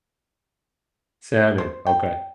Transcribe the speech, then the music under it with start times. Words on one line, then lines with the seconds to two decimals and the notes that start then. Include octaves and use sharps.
Salmon, okay.
1.58 C5
1.87 G5